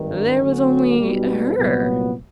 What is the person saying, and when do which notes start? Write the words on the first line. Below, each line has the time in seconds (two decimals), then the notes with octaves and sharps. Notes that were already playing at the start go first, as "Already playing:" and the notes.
"There was only HER."
Already playing: G#1 G2 D#3
0.41 D3 F#3 A3 C#4 F#4
0.98 B1 B2 G3
1.56 C2 A#2 F#3 B3